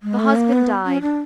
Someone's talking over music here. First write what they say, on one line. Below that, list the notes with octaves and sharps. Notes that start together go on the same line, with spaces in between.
The husband died.
G#3
A3
A#3
B3
C#4
D4